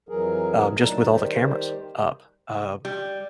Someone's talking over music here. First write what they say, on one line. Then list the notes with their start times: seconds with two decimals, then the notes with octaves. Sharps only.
Um, just with all the cameras up, uh,
0.09 F2 E3 F#3 G#4 A#4
0.78 D2 A#2 F#3 D4 D#4 A5
1.10 D#3 G3 G4 C5
2.85 G3